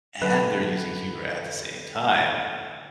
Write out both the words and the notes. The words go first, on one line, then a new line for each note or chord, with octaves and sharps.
and they're using humor at the same time,
D3 F#3 B4